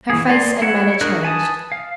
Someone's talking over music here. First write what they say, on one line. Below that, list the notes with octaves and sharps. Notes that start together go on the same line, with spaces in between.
Her face and manner changed.
E3 G#4
A#3 D5 G#5 A#5 C6
E4 C#5 F#5
D4 F#4 G#4 A#4 F#6
B4 G#5 A5 D#6
F5